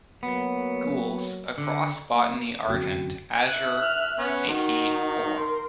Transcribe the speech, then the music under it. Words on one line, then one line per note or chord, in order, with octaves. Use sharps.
Gules, a Cross bottony Argent; Azure, a Key Or.
F#3 A#3 B3
D3
A#3
F1 F#2 D3 C4 F#4 G5
E5 F#6
F6
B3 C#4
D#3 D#4 F#4
A#4 C6